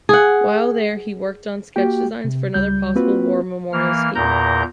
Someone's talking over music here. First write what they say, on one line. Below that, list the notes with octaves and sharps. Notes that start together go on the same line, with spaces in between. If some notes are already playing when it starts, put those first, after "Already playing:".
While there he worked on sketch designs for another possible war memorial scheme.
G#4 F#5
A#3 F#4 G4 G5
C3
C#2 G3 G6
A#3 C4 F4 F#4 B4
E3 A#3 F6
E2 A#2 A#4 A#5 G6